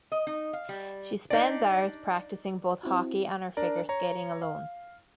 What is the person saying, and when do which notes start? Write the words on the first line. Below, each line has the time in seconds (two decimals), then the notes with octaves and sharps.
She spends hours practicing both hockey and her figure skating alone.
0.12 D#5
0.27 D#4
0.53 F5
0.69 G3
1.30 D4 D#4 D5
2.83 C4 E4 F#4
3.57 D4 A#4 D5 A#5
3.89 C#5 A#5
4.42 F5